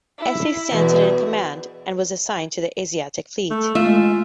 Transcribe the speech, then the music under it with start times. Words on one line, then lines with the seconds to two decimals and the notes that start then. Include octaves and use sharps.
S. A. Stanton in command, and was assigned to the Asiatic Fleet.
0.18 E4
0.71 E2 B2
3.51 A3
3.75 G#3 A3 F4 E5 A6